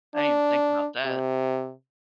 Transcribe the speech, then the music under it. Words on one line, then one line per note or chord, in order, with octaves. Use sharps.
I didn't think about that.
D4
C3